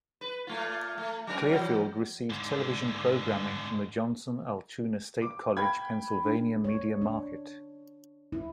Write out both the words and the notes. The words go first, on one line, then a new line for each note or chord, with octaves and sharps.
Clearfield receives television programming from the Johnstown-Altoona-State College, Pennsylvania media market.
B4
A#2 A3 F4
A3
F#3 C#4 A#4
E3 F#3
G#2 D3
D6
G5 B5 G#6
D4
C#5
D4
E4